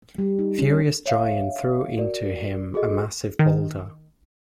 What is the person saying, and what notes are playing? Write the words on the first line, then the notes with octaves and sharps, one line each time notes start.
Furious giant threw into him a massive boulder.
G3
D#4
C#4
C#5 E5 F5
F#4 A#4 D5
F#4 G#4 A4 D#5
D#3